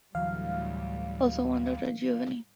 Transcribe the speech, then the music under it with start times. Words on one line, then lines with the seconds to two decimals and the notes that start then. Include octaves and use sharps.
Also one daughter, Giovani.
0.15 D2 A2 E3 F#3 G3 F5